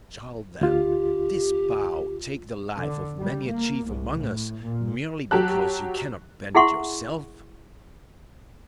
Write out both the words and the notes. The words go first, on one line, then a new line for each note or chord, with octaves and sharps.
Shall, then, this bow take the life of many a chief among us, merely because you cannot bend it yourself?
D2 F4 G4
D3
G3
A#3
C2
A2
A#2
F#3 G4 A5 F#6
E4 G#4 E5 F#5 C6 C#6